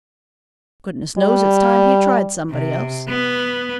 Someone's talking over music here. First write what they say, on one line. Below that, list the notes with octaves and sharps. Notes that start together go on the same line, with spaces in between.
Goodness knows it's time he tried somebody else.
G3
C3
B3